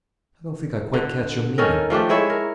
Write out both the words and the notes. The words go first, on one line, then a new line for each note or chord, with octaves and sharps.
I don't think I quite catch your meaning.
D3
D#3 C#4 A4 A#4
F3 A3 D4 G4
G#3 E4 C#5 E5
A#4